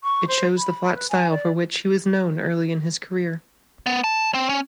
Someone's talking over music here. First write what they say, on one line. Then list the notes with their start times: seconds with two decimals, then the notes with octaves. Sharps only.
It shows the flat style for which he was known early in his career.
0.03 C#6
0.27 C5
0.57 B5
0.94 B4
1.09 G#5
1.30 D5
3.86 B3
4.04 A5
4.34 C4
4.49 C#4